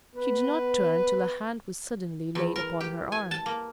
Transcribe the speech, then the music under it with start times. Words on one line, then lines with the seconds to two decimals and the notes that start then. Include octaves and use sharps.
She did not turn till a hand was suddenly laid upon her arm.
0.16 B3 B4
2.35 E2
2.56 A#4
2.80 G4
3.12 G#5
3.31 A5
3.46 A#3